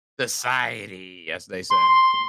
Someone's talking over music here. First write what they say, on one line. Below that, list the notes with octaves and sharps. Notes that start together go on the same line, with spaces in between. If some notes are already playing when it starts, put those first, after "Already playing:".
"Society", as they say.
C6